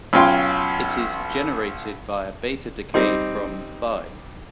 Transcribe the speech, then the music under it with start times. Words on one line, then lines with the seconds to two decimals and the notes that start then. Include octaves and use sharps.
It is generated via beta decay from Bi.
0.13 B1 C#4 F4 G5 C6
2.94 G3 C4 D#4